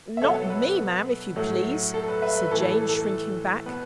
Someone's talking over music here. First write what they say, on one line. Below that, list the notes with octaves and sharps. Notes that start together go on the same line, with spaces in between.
'Not me, ma'am, if you please,' said Jane, shrinking back.
E5
B2 F#3 B3 A4 C#5
A4
B4
A2 F#3 A3
A4
B4
B4 E5
B4
A2 E3 A3 A4
A4
A4
B2 B3 B4